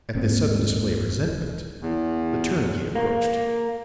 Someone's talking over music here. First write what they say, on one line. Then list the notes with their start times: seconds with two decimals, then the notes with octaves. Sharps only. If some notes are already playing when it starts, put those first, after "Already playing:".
At this sudden display of resentment, the turnkey approached.
0.15 D#1 G#2 A#3 C4
1.82 E2
2.95 A#3